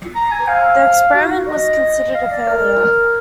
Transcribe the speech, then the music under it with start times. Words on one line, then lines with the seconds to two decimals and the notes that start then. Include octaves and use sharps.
The experiment was considered a failure.
0.15 A#5
0.31 G#5
0.48 F5
1.15 F#4
1.26 D#4
1.37 F#4
1.48 D#5
2.14 F5
2.31 D5
2.48 A#4